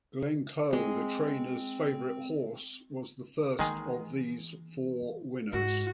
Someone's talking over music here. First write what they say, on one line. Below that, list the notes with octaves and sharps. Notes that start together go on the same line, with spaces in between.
Glencoe, the trainer's favourite horse, was the first of these four winners.
G#3 C4
D#3 E3 G#3 A#3 G#4
G#2 F#4